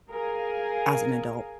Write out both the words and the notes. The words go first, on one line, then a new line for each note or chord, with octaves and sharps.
as an adult."
G#4 A#4 F5 G#5